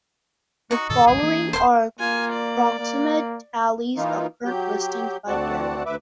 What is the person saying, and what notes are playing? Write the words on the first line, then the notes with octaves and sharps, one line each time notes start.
The following are approximate tallies of current listings by area.
D#4 F#4 C#6
F#2 A#2 D#3 A4
A1 D2 G2 G#4
E3 A#3 D4
D#1 C5 C6
A#3 F4 G#5
D5
A#3
E3 A#3 D#4 F4
F#3 G4 G6
D2 C4 F#4 D5 F#5 A5
D2 B4 E5 D6